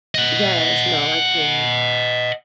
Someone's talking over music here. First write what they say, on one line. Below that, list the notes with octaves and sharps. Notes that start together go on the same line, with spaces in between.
Yes, no, I can't.
D#5 F#5